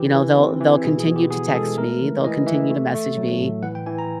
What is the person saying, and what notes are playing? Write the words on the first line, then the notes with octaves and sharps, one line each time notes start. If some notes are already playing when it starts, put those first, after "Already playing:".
you know, they'll they'll continue to text me, they'll continue to message me,
Already playing: E3 G4
E3
C4
E3
B2 G#4
G#4
B2
G4
B3 G#4
G#4
G#3 A4
A3 A#4
E3
E3 D#5
E3 E5
A3
A3
F#3
A2
E3 F#5
G5
E3 G#5
A#5